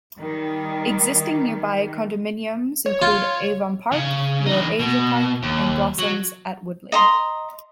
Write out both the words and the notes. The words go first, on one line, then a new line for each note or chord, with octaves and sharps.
Existing nearby condominiums include Avon Park, Euro-Asia Park and Blossoms at Woodleigh.
D#3 G3
C#5
F4
C#3
E3 D#4
B2
D#2
F#3
D#5 A#5 C6